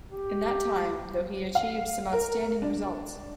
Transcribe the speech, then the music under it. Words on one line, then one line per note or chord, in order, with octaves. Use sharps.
In that time though he achieved some outstanding results.
G4
F5
A#4
D4